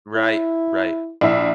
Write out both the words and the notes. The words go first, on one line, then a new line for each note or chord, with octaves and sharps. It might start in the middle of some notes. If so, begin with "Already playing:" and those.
Right, right.
E4
A#1 E4 E5